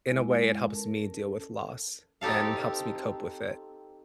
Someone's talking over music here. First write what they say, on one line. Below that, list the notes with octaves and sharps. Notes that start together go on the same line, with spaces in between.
in a way it helps me deal with loss, and helps me cope with it.
G#3 E4
C#4 A4 A#4 A5
C4 D#4 G4 A4 F5